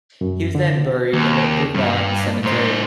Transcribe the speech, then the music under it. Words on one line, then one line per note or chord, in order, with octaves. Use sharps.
He was then buried in Woodlawn Cemetery.
F#2
D3
D#2
G2
A2 C5